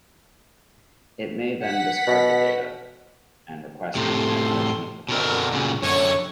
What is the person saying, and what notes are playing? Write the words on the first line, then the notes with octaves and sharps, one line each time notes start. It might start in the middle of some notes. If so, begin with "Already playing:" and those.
It may then discard the data, and request retransmission of the faulty frame.
F#5 B6
B2
A2 C3 A4 C6
B2 D3 D#3 C4 A#4
A#2 C#3
F#2 D3 C#5